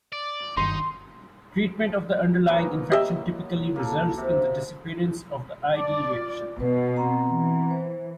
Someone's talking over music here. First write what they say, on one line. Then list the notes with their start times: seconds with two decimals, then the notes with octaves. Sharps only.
Treatment of the underlying infection typically results in the disappearance of the id reaction.
0.12 D5
0.57 F#1 G2 D#3 D#4 C6
2.47 F#3 A#3 B3
2.92 G4 D#5 E5
3.76 A#3 A4
4.18 C3
5.76 D5 A5 D6
6.13 F4
6.60 B2 B4
6.96 C4 F#5 A#5
7.25 E3
7.71 C5